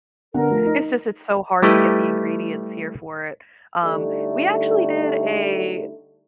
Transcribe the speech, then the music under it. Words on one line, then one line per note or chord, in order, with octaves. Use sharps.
It's just it's so hard to get the ingredients here for it. Um, we actually did a
D3 B3 A#4 F#5
F3 A3
D#4
G3 A3 E4 G4 B4 D#5
D3 G3 A3 D#4 E4